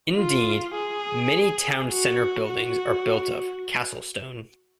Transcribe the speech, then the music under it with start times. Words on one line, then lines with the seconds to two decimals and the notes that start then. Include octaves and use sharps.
Indeed, many town centre buildings are built of 'castle stone'.
0.17 F4
0.75 G#4
1.91 F#4
2.49 F#4